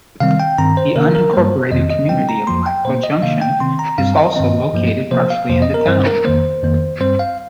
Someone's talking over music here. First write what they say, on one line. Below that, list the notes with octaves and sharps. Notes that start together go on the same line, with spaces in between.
The unincorporated community of Blackwell Junction is also located partially in the town.
C3 D#3 G3 C4 F5
G5
G2 D#3 C4 A#5
C5
C3 D#3 A#3 A#4
A#4
G2 G3 A#3 C5
F2 C3 D#3 C4 D#5
D#5
C3 G3 C4 G5
A#5
F2 F3 A#3 C6
G5
A#2 A#3 C5
D#5
C3 D#3 A#3 F5
G5
C3 D#3 C4 C6
A#5
G2 G3 C4 F5
D#5
G2 D#3 C4
G2 F3 A#3
C3 F3 A#3 C5
F5
F2 C3 F3 C5
D#5
A#4
G2 G3 C4 C5
A#4
F2 D#3 A#3 C5
F2 D#3 A#3
G2 G3 C4 C5
F5